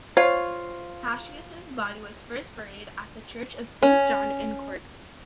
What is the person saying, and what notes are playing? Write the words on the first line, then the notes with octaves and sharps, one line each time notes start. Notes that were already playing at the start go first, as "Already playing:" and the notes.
Paschasius' body was first buried at the Church of Saint John in Corbie.
F4 C5 C#5
C#4